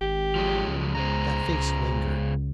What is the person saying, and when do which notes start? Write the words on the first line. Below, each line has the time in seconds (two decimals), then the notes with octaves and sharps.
That face lingered.
0.01 G#1 G4
0.35 F3 F#3 G#3
0.68 C#2
0.95 C#3 G#4 C5 A#5
1.49 C#2